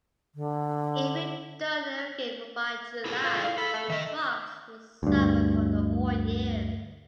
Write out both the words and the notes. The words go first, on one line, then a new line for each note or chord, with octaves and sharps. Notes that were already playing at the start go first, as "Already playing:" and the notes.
If you don’t irrigate by July, the crops will suffer for the whole year.
D3
E4 G#4 A4
F4
F5
A4 B5
A3
D#3 D#5 E5
D2 G2